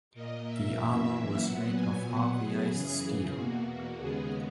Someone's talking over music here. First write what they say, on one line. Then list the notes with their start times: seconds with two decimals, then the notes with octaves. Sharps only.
The armor was made of harveyized steel.
0.14 A#2 A#3 D#5
0.46 E5
0.78 F#2 E3 A#3
1.41 A#2 F#3 B3 F#5
1.74 G#5
2.06 B2 F#3 B3 F#5
2.39 G#4
2.70 F#2 C#3 E3
3.34 E2 B2 A#3 F#4
3.99 D#2 C#3 G#3 B3 G#4